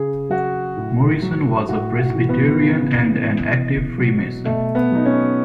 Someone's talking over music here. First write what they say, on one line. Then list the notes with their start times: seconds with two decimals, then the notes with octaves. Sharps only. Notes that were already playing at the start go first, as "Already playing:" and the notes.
Morrison was a Presbyterian and an active freemason.
Already playing: C#3 G#4
0.29 F#3 F#4
0.77 A2
1.22 F#3
1.69 A2 F#4
1.99 F#4
2.14 E3
2.29 B3
2.61 C#3
3.06 E3
3.52 B2
3.98 F#3
4.45 B2 A3
4.75 B3
4.91 F#3 D#4
5.06 C#4